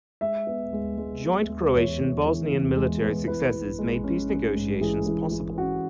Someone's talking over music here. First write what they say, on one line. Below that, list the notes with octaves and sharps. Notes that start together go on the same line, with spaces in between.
Joint Croatian-Bosnian military successes made peace negotiations possible.
G#3 E5
B3
G#3
G#3
B3
G#3
E2 C#5
E2
E3
E2
G#3
B3
E3 B4
E3
G#3
C#4
C#4
G#2
E3 G#4
E3
E3
C#4 F#4